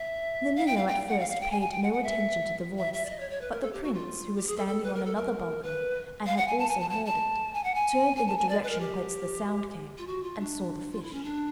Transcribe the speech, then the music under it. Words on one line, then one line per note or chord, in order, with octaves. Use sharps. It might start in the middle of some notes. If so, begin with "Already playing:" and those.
Nennillo at first paid no attention to the voice, but the Prince, who was standing on another balcony and had also heard it, turned in the direction whence the sound came, and saw the fish.
Already playing: E5
F5
G5
F5
G5
F#5
F5
F5
G5
G#5
G#5
G5
F#5
F#5
E5
E5
E5
D5
D#5
C#5
C#5
B4
A#4
A4
G4
F#4
F4
G4
G#4
A4
A4
B4
A#4
A4
A#4
B4
F5
F#5
G#5
A5
G#5
A5
A5
A5
G#5
F#5
G#5
G#5
A5
G#5
D5
B4
A#4
G4
F4
F#4
F4
D4
F4
E4
C#4
D4